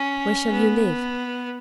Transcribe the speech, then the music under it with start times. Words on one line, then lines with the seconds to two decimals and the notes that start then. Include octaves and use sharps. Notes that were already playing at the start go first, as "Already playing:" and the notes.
Where shall you live?'
Already playing: C#4
0.52 B3